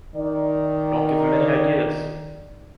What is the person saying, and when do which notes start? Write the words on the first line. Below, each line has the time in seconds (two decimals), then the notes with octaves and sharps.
Don't give him any ideas!
0.16 D#3 D5